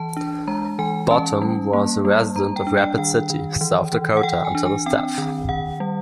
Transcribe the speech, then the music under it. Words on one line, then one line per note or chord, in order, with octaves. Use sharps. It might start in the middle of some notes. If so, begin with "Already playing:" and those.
Bottum was a resident of Rapid City, South Dakota until his death.
Already playing: E3 A5
D4
G#3 A#5
E3 G#5
C#4 A5
G3
A#3
G3
G3 A#5
G5
D4
G5
D#3 G5
D#3
E3
E3
F#5
E3 G5
G#5
D4
G#5
C4 G5
D#3
D#3 F#5
G3